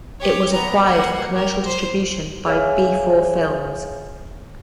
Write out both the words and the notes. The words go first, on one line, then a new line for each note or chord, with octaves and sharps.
It was acquired for commercial distribution by Be For Films.
G4 C#5
B3 A#5
A#3 F#5
G4 A#4
C5
G#4 C#5 E5 F5 G#5 F6